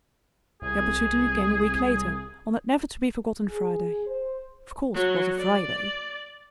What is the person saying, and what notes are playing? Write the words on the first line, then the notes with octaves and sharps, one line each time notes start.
The opportunity came a week later, on that never-to-be-forgotten Friday. Of course it was a Friday.
C2 G#4
G#4
C5
F#3
D5